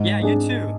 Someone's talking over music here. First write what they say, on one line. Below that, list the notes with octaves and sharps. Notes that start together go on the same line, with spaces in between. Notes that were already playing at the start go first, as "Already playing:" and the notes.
Yeah, you too.
Already playing: G#2
G#3 D4 G#4